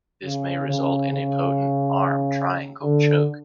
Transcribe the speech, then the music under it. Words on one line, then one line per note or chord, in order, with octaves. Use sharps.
This may result in a potent arm triangle choke.
C#3
C#3
C#3
D3